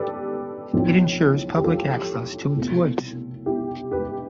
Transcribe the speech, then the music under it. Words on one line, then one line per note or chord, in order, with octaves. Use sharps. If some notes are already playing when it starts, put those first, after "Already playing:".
It ensures public access to its woods.
Already playing: G4 A4 B4 D5
B1 A2 F3 C4
G4
F4 A4
C2 B2 A3 C4
E4 G4
G4 B4